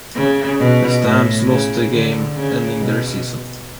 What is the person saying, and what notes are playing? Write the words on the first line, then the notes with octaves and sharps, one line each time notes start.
The Stamps lost the game, ending their season.
C#3
B2
A2
C#3
D3
C#3
B2